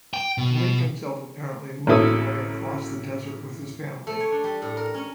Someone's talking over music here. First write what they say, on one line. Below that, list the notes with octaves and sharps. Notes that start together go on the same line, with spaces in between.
Malik himself apparently moved away across the desert with his family.
G5
B2
A1 F#3 A#3 E4 A4 D#6
A3
C#5
D4
G3
A2
A#4
C#4